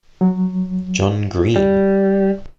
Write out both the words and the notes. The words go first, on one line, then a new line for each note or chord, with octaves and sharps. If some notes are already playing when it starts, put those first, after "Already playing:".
John Greene.
F#3
G3